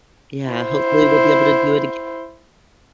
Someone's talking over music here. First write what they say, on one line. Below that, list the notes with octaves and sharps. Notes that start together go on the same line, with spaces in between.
Yeah, hopefully we'll be able to do it agai
E4 C5